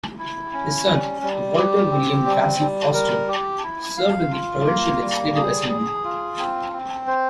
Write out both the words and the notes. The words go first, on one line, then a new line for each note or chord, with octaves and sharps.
His son, Walter William Vassie Foster, served in the provincial Legislative Assembly.
E4
C#4
G3
G3
G4
C4
G3
G3
A#4
G4
E4
F5
F4
A#3
G3
G#4
G#4
F4
C4
C4
C5